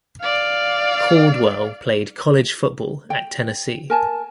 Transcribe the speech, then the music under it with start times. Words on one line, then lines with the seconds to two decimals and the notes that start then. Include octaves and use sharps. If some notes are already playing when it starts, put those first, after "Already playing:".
Caldwell played college football at Tennessee.
0.21 D5 F5
3.10 G5
3.90 A#4 G#5 A5